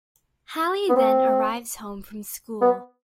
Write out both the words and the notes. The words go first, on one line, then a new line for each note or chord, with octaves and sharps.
Hally then arrives home from school.
B3
C4
B3